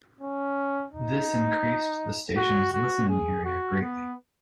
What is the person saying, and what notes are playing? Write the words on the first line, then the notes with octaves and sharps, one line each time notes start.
This increased the station's listening area greatly.
C#4
D#4
F#4
F#4
G#4
F#4
B3